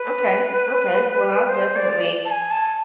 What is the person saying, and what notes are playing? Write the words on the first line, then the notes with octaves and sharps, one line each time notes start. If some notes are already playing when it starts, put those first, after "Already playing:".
Okay, okay, well, I'll definitely
Already playing: B4
C5
D5
A5
G#5
A5